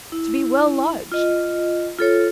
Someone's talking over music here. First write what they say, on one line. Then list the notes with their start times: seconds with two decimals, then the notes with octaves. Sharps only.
To be well lodged!
0.12 E4
1.12 F4 D#5
1.99 F4 A4 C#5